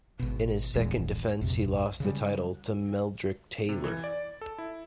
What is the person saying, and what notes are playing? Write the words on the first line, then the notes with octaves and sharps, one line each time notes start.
In his second defense, he lost the title to Meldrick Taylor.
G#1 B2
D#1 A#1 E2 G#3
A#1 F2 C3
C#3 G3
C3
E3
D5
A4
E4